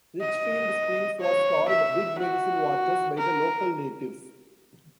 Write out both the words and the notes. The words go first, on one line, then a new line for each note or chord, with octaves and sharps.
Richfield Springs was called "Big Medicine Waters" by the local natives.
D#5
C#5
E5
F#4
A#4